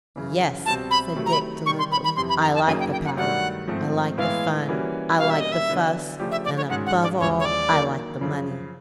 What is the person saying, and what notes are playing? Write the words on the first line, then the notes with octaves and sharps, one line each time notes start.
'Yes,' said Dick, deliberately, 'I like the power; I like the fun; I like the fuss; and above all I like the money.
F#2 C#3 E3
C2 B2 G3 C4 A5
B5
C3 D#3 F#3 A3
A#5
B5
C3 D#3 G3 C#6
C6
B5
B5
F2 C3 E3 C6
B5
A#5
A5
F#2 C#3 F#3 A#3 D#4 G#5
G5
G5
F#5
G2 D#3 F#3 A3 D4 F#5
G#2 F3 A3 C4
A2 E3 G#3 B3 E4 F5
E3 G3 A#3 C#4 F#4
B2 G3 A#3 C#4 F5
E5
D#5
E5
D3 F#3 B3 D4
C#3 F3 A3 D4 G4
E5
D5
C#5
G#2 D#3 G#3 C#4 F#4 F#5
F#5
D5
D#2 C#3 F3 G#3 C#5
C#5
D5
D#3 F#3 A#3 D4
F#2 C#3 F3